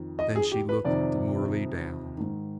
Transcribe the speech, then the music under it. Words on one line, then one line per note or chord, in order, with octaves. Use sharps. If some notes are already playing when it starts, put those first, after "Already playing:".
Then she looked demurely down.
Already playing: F2 D#3
D#5
G#4
G4
B4
F2 C3 D#3 D5
G#2 D#3